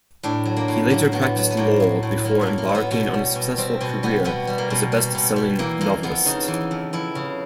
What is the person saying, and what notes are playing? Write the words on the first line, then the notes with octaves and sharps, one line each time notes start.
He later practiced law before embarking on a successful career as a best-selling novelist.
A2 D4
F#3
A#3
A2
F#3 A#3
A2 B3
F#3
B3
A2 A#3
F#3
A2
F#3 A#3
A#3
A2
A#3
F#3
B3
B2 B3
G3
B2
G3 C4
B2 C4
G3 B3
B2 B3
G3
A#3
B2
G3
B2
G3
E3 A#3
F2 A#3
F2 B3
C#3 D#4
E3
F2
F2 E4
C#3